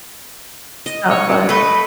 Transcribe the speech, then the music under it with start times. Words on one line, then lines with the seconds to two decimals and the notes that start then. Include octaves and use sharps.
It's not fun.
0.86 D#5
1.10 C#5
1.28 F#3
1.49 A3 B4 C#5 D#5 B5